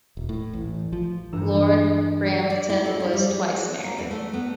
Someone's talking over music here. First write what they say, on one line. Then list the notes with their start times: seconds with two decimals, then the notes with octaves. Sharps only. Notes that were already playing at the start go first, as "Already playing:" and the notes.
Lord Brampton was twice married.
0.17 D#1
0.29 A2
0.53 A1
0.93 F3
1.32 G2 E3 D4 A4 A#5 E7
2.50 D5
2.70 E4
2.85 A4
3.00 E4
3.13 G3
3.30 G#4
3.58 F#4
3.84 A#3
3.98 E2
4.11 A3
4.34 B3